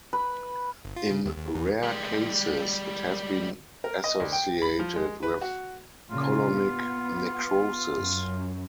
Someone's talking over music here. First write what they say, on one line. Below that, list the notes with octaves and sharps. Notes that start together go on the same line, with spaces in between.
In rare cases, it has been associated with colonic necrosis.
B4
G1
F4
C#3
D#2
D#2
E2
G3 G#3
A#4
D#5
D2
G5
B5
F3
G#3
B4
F#4
A#2 C#3 F4
B3
F#2